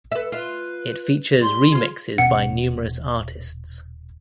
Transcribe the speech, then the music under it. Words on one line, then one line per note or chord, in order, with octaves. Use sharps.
It features remixes by numerous artists.
A4 B4 E5
F4 B4 E5
G3 C6
F4 G#4
D#1 B2 C#4 F#5